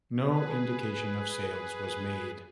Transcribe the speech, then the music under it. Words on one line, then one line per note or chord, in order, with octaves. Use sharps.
No indication of sales was made.
G#4 B4